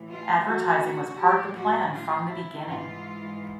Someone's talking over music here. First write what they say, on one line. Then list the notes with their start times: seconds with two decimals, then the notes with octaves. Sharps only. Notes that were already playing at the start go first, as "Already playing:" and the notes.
Advertising was part of the plan from the beginning.
Already playing: A2 E3
0.08 F4
0.45 F#4
1.19 A2 F3 G4
1.55 F#4
1.92 F4
2.28 E4
2.64 G#2 E3 F4